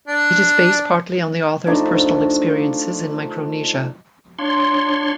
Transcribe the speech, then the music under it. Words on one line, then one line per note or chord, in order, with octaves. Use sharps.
It is based partly on the author's personal experiences in Micronesia.
D4
F3 A3 D4 D#4
D4 F4 C#5 C6